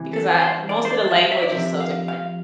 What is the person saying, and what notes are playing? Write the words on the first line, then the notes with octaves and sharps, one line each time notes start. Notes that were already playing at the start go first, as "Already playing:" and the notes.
because I most of the language is so different.
Already playing: C3 E3
A4
C5
D5
C5
D5
E5
E5
D5
C3 F3 E5
F5
F5